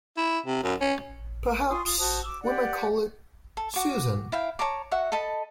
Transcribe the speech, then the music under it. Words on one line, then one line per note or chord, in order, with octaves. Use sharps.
Perhaps we might call it Susan.
E4
C3
F#2
C#4
F4 C6 C#6 D#6
F4 D#6
F#4 C5 A5 D#6
D6 E6
G4 D5 F#5
A4
F#4 D6
E4 F5 G5
C#5 A5 A#5 D6
F#4 E5 F#5
A4 D#5 A5 B5